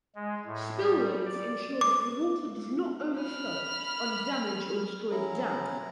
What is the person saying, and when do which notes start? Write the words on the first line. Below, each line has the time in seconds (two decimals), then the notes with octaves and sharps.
Spillways ensure that the water does not overflow and damage or destroy the dam.
0.15 G#3
0.46 A2
0.80 G3
1.25 D5
1.81 D6
3.20 B5 F6
5.11 F#3 C#4 E4 A#5